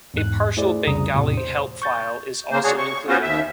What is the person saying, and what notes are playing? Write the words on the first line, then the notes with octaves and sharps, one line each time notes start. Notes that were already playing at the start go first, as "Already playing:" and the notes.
A partial Bengali help file is also included.
E2 G#2 F#6
A3 E4 G#4 C5 D5
C2 F2 C#3 A#5 D#6
E2 A2 C3
C5
C#6 G6 A6
C#3 A#3 C5
D4 F#4 G#4 C#5
C#6
B3 C#4 F4 F#4 C5
D#2 E5